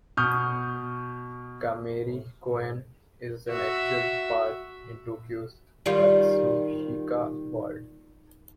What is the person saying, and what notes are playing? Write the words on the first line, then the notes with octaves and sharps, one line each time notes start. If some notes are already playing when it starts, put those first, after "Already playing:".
Kameari Koen is an actual park in Tokyo's Katsushika ward.
B2 C#6 D#6 F6 G6
F#4 E5
D#3 G3 F4